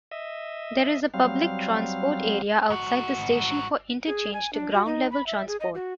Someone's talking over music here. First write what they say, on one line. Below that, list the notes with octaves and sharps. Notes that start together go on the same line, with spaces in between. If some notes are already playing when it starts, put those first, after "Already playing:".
There is a public transport area outside the station for interchange to ground-level transport.
D#5 E5
F#3 G3 C4 F5
G#2 F#4
G#4
G#5
D4
F#4
D#4
B5
E5
G#4
D#5
F#4